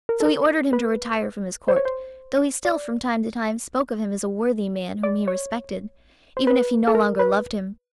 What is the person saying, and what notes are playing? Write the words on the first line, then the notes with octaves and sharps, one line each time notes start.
So he ordered him to retire from his Court, though he still, from time to time, spoke of him as a worthy man whom he respected, even if he no longer loved him.
A#4
A4
A#4
B4
C5
C#5
C5
D5
D5
C#5
C5
B4
A4
A#4
B4